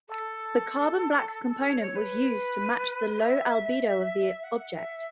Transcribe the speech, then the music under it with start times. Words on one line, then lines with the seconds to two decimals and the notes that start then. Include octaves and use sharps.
The carbon black component was used to match the low albedo of the object.
0.08 A4
1.48 A4
1.64 C#5
1.79 C#5
1.95 B4
3.19 E5
4.43 F#5
4.74 E5